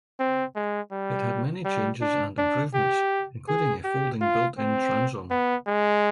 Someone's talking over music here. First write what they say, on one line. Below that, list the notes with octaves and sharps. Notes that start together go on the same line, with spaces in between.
It had many changes and improvements including a folding built-in transom.
C4
G#3
G3
G3
D4
D4
G4
G#4
G4
F4
C4
B3
G#3